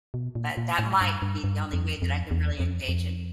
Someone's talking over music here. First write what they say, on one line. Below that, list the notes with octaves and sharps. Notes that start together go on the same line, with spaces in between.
But that might be the only way that I can really engage in.
B2
A#2
A#2
A2
G2
G2
G2
F2
F2
E2
F2
F2